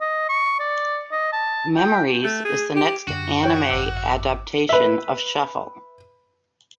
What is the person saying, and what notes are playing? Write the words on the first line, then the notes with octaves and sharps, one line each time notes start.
Memories" is the next anime adaptation of "Shuffle!
D#5
C#6
D5
D#5
A5
G5
A3
G#4
G4
F#2 D3 D4 F#4
C#5 G5
G#1 D6 E6
B4 E5